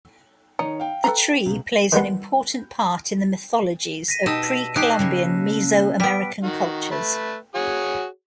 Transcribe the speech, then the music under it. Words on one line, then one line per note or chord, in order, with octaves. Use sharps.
The tree plays an important part in the mythologies of pre-Columbian Mesoamerican cultures.
D#3 D#4 C#5 C#7
F5 G5
A4 B4 A#5
C#2 B2
D#3 G3 G#3 B3
A#6 B6 D#7
B2 D#4 G4 A5 E6 E7
D#4 G4 G5 G#5 F#6 C7
C#3 A#3 C#4
G3 B3 B6 D7
D#3 F#4
A3 B4
F#4 G#4 C#5